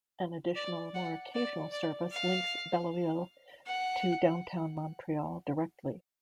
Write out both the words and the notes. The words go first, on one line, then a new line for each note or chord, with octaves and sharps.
An additional, more occasional service links Beloeil to downtown Montreal directly.
D5
F#5
D5
D5
F5
F#5